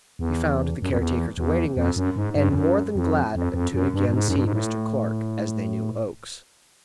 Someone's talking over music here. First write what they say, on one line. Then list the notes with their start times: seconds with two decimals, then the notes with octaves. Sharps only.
We found the care-takers awaiting us, and more than glad to again see Mr. Clark, as they knew Oakes.
0.19 E2
0.82 F#2
0.90 F2
0.98 E2
1.38 E2
1.77 F2
1.96 F#2
2.16 G#2
2.35 G2
2.49 F2
2.55 F#2
2.95 F2
3.35 F2
3.54 F2
3.74 F#2
3.94 G2
4.09 G2
4.14 G#2
4.28 F#2
4.36 G2
4.45 G#2
4.53 A2